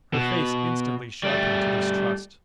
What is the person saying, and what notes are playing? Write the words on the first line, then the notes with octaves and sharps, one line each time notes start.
Her face instantly sharpened to distrust.
B2
G3 A3